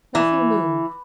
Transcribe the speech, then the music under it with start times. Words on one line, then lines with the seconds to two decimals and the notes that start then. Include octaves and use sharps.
Nothing moved.
0.15 E3